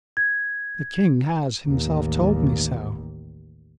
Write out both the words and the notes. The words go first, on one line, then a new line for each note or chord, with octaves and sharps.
"The king has himself told me so."
G#6
A1 D#2